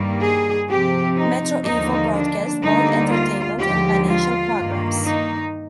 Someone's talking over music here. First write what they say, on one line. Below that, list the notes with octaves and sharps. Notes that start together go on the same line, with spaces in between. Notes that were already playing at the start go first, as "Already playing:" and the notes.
Metroinfo broadcast both entertainment and financial programs.
Already playing: G2 D#3 G3 A#3
G#4
C3 F3 C4 G4
D#4
D#2 D3 F3 A#3 D#4
D4
D2 D3 G3 A#3 D#4
F4
D#2 D3 F3 G#3 G4
F4
G2 D#3 A#3
D#4